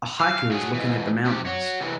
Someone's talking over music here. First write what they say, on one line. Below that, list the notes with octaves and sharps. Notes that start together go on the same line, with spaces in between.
A hiker is looking at the mountains.
F5
F#3 G#4
G#2 E3
C3 G4
F#4 C#5
C3 E3